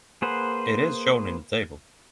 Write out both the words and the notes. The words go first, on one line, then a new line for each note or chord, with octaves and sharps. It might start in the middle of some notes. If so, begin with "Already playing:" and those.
It is shown in the table.
A#3 G#4 B4 C5 F#5